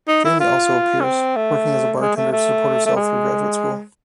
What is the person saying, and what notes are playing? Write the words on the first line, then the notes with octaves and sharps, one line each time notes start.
Jamie also appears, working as a bartender to support herself through graduate school.
D#4
E4
F4
C#4
C4
A3
G#3
A3
A3
A3
G#3